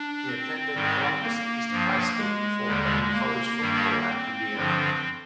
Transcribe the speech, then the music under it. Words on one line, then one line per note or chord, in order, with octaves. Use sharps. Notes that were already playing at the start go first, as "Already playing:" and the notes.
He attended Columbus East High School before playing college football at Indiana.
Already playing: D4
C4
G#2 D#3 G3
A#3
G2 F3
G#3
D#2 D3 G3
A#3
G2 D#3 G3
C4
G2 D3 F3